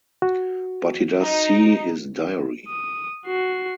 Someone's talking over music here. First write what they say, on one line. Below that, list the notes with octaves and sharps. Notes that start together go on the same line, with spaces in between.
But he does see his diary.
F#4
D#4
D#6
F#4 C7